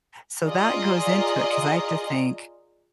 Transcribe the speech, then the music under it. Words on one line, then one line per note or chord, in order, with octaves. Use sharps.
So, that goes into it, 'cause I have to think,
F4 G#4 A#4 D5 D#5